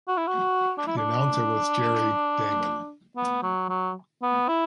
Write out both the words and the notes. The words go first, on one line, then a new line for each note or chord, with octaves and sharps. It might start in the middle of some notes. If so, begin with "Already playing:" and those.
The announcer was Jerry Damon.
F#4
E4
F#4
D4
E4
D4
B3
F#3
F#3
B3
E4